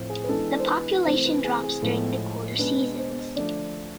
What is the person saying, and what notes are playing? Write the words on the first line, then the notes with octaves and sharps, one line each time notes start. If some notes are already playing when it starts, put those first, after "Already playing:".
The population drops during the colder seasons.
Already playing: A2 F3 A3 C4
G#4
B4
E3 G#3 B3 D4 A4
D5
C5
B4
C3 E3 A3 C4 C5
B4
G#4
G#4
A2 F3 G#3 A4
B2 G#3 B3 D4 B4
C5
D3 F3 A3 D4 D5